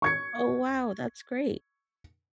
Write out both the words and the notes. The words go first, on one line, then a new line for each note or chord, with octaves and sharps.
Oh, wow. That's great.
C#6 G#6 C#7